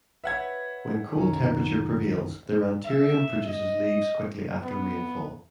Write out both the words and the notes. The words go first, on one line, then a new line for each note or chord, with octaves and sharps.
When cold temperature prevails the Rhanterium produces leaves quickly after rainfall.
B4 C#5 E5 F#5 G#6
C2 F#2 D#3 C#4 D#4
E5
D#5
B3